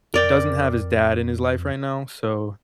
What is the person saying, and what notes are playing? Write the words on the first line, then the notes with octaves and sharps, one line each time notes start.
doesn't have his dad in his life right now, so,
F2 A#4 D5 G5